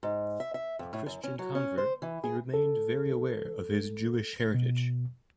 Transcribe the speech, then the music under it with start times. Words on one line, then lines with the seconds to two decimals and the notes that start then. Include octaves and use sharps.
A Christian convert, he remained very aware of his Jewish heritage.
0.03 G#2
0.40 E5
0.54 E5
0.79 F2
0.93 A2
1.06 F#2
1.24 C#4
1.39 F#3
1.55 C#4
1.78 C5
2.02 E3
2.24 G#4
2.54 A4
4.55 B2